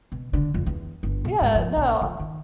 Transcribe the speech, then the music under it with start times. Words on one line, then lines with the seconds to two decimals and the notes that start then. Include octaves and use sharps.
Yeah, no.
0.12 B2
0.33 D3
0.54 F2
0.66 E2
1.03 G1
1.25 B2
1.41 G#2
1.55 F3
1.76 A#1
2.01 F3
2.20 D#3